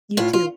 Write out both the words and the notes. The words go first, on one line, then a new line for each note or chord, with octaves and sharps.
You too.
A2 F4
F4